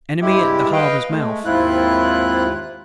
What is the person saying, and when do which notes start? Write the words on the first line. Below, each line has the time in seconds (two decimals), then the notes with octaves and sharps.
Enemy at the harbour's mouth.
0.21 G2 G#3 E4 G4
0.72 B4 D#5 F5 G5
1.10 G#3 A3
1.45 D#2 G#2 C4 E4 F4 F#6